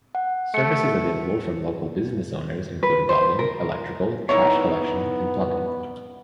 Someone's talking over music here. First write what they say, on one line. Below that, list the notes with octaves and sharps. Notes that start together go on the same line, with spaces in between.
Services available from local business owners include welding, electrical, trash collection, and plumbing.
F#5
A3 C#7
B4
C5
A#4
A#3 B3 D#4 E4 C#5